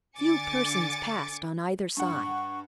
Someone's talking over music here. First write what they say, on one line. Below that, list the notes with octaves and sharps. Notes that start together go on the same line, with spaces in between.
Few persons passed on either side.
D3 G#5 D6 A6 C#7
G2 F#5 C#6